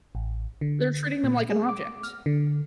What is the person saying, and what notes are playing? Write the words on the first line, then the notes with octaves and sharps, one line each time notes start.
They're treating them like an object.
A1
D3
A#2
G#4
D6
F6
D3